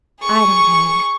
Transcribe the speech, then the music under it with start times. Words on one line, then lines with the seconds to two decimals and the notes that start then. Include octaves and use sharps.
I don't know.
0.21 G#4 C#6